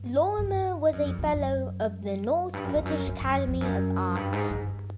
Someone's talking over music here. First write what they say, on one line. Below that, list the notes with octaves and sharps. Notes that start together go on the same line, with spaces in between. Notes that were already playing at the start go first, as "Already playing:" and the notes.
Lorimer was a fellow of the North British Academy of Arts.
Already playing: G2
G2
F#2
F2
F2
F#2
G2
F#2
F2
F#2
F#2
F#2
F2
F2
F#2
G2
G#2
G2